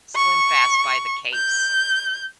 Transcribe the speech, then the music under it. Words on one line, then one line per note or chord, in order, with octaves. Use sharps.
SlimFast by the case.
C#6
G6